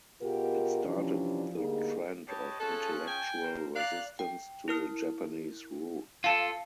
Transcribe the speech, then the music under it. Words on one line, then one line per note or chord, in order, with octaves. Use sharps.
It started the trend of intellectual resistance to the Japanese rule.
B2 F4 G4 G#4 A#4
C3 E3 F3 G3 C#4 D4
D2 G3 A#3 D#4 G#4
G4 B4 C#5 D#5 A5
C#4 F4 G#4 A4 F#6
G5 G#5
A#4 C5
D5 F5 A#5 F#6
G5
E4 A#4 F6
F4 A4 F5 A5